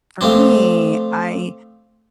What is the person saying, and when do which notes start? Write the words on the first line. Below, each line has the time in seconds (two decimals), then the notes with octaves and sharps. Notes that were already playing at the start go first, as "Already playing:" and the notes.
for me, I
0.21 F3 A3 C4 D4